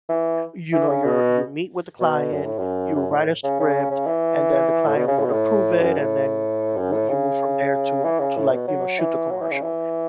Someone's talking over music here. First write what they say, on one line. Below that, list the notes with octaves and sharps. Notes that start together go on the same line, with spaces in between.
you know, you're you meet with the client, you write a script and then the client would approve it, and then wou you move from there to to, like, you know, shoot the commercial.
E3
E3
C#3
B2
B2
F#2
A2
F#2
F#2
A2
C#3
C#3
C#3
E3
A2
B2
C#3
A2
B2
A2
F#2
A2
F#2
A2
C#3
E3
C#3
A2
B2
F#3
E3
F#3
E3
C#3
E3